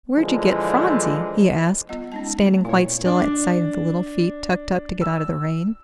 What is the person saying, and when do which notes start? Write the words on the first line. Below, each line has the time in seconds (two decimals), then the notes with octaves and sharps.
"Where'd you get Phronsie?" he asked, standing quite still at sight of the little feet tucked up to get out of the rain.
0.16 A#2 D3 E3 F3 G#3
1.89 G3 B3 F4 D#5
2.12 G#3 C#4 D#4 A5
2.42 A3 C4 F#4
2.65 A#2 E4 C#5
3.06 D4 D5
5.01 E6